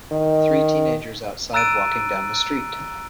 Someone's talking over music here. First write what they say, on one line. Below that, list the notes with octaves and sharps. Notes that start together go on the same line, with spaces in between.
Three teenagers outside walking down the street.
D#3
A#5 E6 F#6 A6 D7 D#7